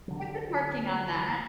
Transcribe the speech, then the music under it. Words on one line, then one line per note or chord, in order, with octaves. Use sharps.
I've been working on that.
D3 F#3